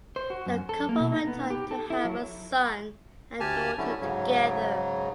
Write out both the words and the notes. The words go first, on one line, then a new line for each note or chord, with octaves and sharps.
The couple went on to have a son and daughter together.
C5
F#4
F#2
A4
A#3
B2
D#4
B3
G4
A4
E4
F#3
D2 G4 G#5 A5 F6
D3 F#3 A3 C#4 E4
G#2 C#3 F#3